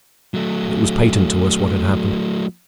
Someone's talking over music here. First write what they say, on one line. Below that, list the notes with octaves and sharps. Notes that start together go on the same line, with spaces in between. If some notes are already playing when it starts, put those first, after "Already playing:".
It was patent to us what had happened.
F#3 A3